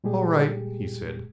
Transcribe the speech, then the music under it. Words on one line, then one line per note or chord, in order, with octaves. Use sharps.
"All right," he said.
A#2 G3 G#3 G4 G#4